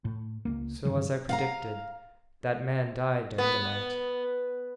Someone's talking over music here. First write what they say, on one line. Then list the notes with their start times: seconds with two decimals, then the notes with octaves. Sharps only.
"So, as I predicted, that man died during the night?"
0.05 A2
0.45 C#2 A#3
0.85 G2 D3 D#3 F#3
1.29 F5 F#5 A#5
3.38 B3